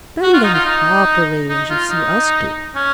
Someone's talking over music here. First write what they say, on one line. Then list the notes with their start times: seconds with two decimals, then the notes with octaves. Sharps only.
Bend them properly, as you see us do.
0.23 F#4
0.33 F4
0.44 D#4
0.54 F4
0.65 D#4
1.49 D#4
1.70 F4
1.90 D#4
2.75 C#4